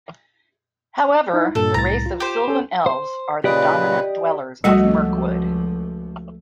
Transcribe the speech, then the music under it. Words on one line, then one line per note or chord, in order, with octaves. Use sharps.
However, the race of Silvan Elves are the dominant dwellers of Mirkwood.
D#4 E4
G2 A#2 A4
C2 A2 A#5 A6
F4
G4 C5
C#4 A4
C5
A#2 C#3 G4 B4 D5 D#5
C#2 F3 G3 A3 F#4 D#5